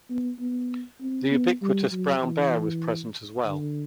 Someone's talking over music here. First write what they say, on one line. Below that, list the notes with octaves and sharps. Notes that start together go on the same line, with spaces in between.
The ubiquitous brown bear was present as well.
B3
B3
C4
B3
G3
F#3
E3
D3